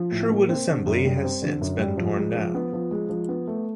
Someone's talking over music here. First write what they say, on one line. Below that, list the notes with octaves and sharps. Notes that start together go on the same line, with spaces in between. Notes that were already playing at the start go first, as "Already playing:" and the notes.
Sherwood Assembly has since been torn down.
Already playing: F3
A2
A#3
C4
D3
F#2
G3
C4
D3
F#2
G3
F3
G#3
F3
B3
F3
G#3
F3
B3
A3